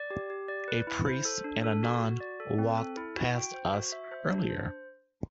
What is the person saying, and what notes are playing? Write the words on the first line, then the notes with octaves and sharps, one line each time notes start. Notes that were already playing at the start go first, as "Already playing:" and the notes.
A priest and nun walked past us earlier.
Already playing: D5
G4
G4
D5
B4
E4
C5
A4
D4
A4
F#4
F#4
D5
A4
C4
A4
E4
F#4
G5
C5
F#4
E5
C5
D4
C5